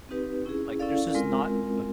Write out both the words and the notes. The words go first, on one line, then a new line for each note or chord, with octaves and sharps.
Like there's just not a
C4 D#4 G4 B4
C#4 E4 G#4
C#4 E4 A4 D5 F5
G#3 C4 F4 A#4